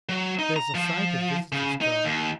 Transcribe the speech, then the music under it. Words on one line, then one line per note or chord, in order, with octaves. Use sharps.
There's a sight of visitors come.
F#3
D#4
A#5
F3
C#3
D#4
D#2